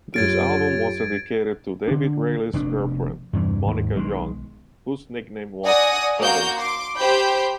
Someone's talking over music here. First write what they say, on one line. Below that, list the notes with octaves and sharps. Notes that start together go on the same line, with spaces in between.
This album was dedicated to David Reilly's girlfriend, Monica Young, whose nickname was Seven.
F#2 F4 G4 C#5 G#6 A6 D7
D3 D4
F1 B2 D4
E2 G2 C3 E3
D#2 G#2
B1 D#3 F#3 G#3
D5 F#5 G#5 D#6 A#6
A#3 F#4 A#4 G6
C6 D6
G4 C5 G5 B5 G6